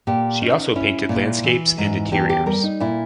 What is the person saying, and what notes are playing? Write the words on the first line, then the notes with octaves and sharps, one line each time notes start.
She also painted landscapes and interiors.
A#2 G4
C#4 D#4
C#4 E4
A#2
E3
G#2
E2 G4
G4
G3 A#4
D#4
A#2 E4